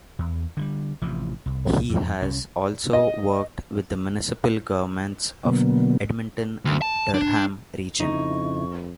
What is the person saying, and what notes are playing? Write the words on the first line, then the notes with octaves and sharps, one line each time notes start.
He has also worked with the municipal governments of Edmonton and Durham Region.
E2
D3 F3 G3
A1 C3 E3 F3
C2
F2
C2 C#4
D#5
B2 D3 F#3 A#3 B3
D2
A5
D4
F2 C#3 D#4 E4 C#6